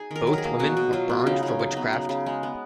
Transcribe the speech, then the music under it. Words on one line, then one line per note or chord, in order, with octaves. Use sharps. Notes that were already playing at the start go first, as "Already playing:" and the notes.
Both women were burned for witchcraft.
Already playing: D#4 G#4
D#3 A#4
F#3
G#4 A#4
A#3
B2 F#4
B2
F#3 F4
B3
C#3 D#4
C#3
C#4
F#3
D#4
B3
C#3
C#3
G#3
B3